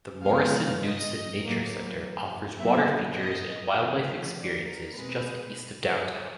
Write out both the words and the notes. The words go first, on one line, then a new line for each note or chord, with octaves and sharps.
The Morrison-Knudsen Nature Center offers water features and wildlife experiences just east of downtown.
C3 F3 G#3 B3 F5
D#5
A2 F#3 A#3
A#2 F#3 B3 E5
D#5
D3 F3 A3 C4
D5
A#4
B2 G#3 C4 B4